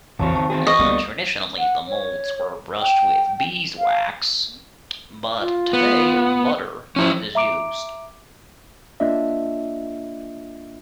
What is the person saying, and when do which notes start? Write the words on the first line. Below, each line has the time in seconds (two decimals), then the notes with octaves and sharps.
Traditionally the moulds were brushed with beeswax, but today butter is used.
0.19 B1 F2 C#3 E3 C4 F#4 C#5 A5
0.35 D#3 A5
0.50 E2 C4 F#4 G#4
0.67 B4 D#5 C#6
0.79 C#2 D3 G3 A#3 B3
1.59 F#5
1.88 C#5
2.80 G5
3.79 F5
5.38 F4
5.73 B3
6.96 F3 C#4 E4
7.35 E5 A#5 D6 D7
9.00 A#3 D4 F4 D#5 E5